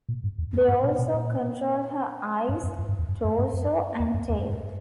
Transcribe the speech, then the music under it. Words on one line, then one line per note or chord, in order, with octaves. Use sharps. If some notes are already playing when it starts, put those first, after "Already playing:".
They also control her eyes, torso, and tail.
A#2
G2
E2
F#2
G2
A#2
B2
A#2
G2
F#2
F#2
G2
E2
F#2
F#2
G2
F#2
E2
F#2
E2
F#2
G2